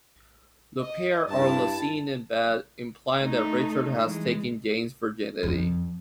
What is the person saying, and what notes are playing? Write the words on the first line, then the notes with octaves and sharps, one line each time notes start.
The pair are then seen in bed, implying that Richard has taken Jane's virginity.
D#5
G2 E4 A5
A3 D#4
E3 G#3
F2